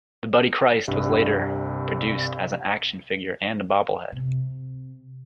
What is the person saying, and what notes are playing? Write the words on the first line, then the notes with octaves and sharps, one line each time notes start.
The Buddy Christ was later produced as an action figure and a bobblehead.
C2 G2 C3
C3